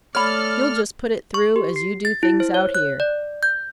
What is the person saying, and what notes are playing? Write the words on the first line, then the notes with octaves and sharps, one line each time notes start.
You'll just put it through, as you do things out here.
A3 A4 C#5 D5 B5 F6
C#6
G4
C7
A6
E4
C5
C#5
F#6
D5
G6